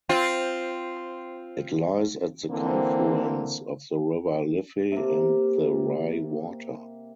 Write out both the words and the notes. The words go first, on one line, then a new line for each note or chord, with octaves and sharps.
It lies at the confluence of the River Liffey and the Rye Water.
C4 F4
D3 E3 A#3 C4
C3 A#3